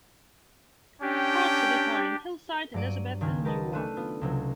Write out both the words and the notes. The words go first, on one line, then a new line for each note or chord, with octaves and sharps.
Parts of it are in Hillside, Elizabeth, and Newark.
C#4 D4 G4 G5
G2 F#3 D5 D7 D#7
C#2 D#3 G#5 F6
G4 A#4 B4 D#5 A5
A3 D4 F#6 D#7
B3 F4
C#2 C3 F#3